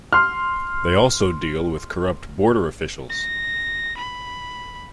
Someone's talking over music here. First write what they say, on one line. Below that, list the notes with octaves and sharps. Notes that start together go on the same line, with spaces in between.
They also deal with corrupt border officials.
C6 F6
A#6
B5